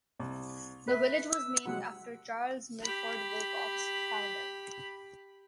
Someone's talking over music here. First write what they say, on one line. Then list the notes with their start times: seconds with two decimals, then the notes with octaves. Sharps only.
The village was named after Charles Milford Wilcox, founder.
0.19 C2
0.88 B4 E5 B6
1.31 E6
1.65 C3 F#3 G#3 F#5
2.83 G4 B5